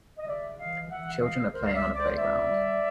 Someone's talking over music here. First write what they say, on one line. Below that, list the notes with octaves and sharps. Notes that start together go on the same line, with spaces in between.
Children are playing on a playground.
D#5
C#3 D5 E5
E3 D#5 F5
E3 E5 F#5
C#3 D#5 F5
C#2 A#4 C5
F5
D5 E5
C#2
C5 D5
C#2 D5 E5
G3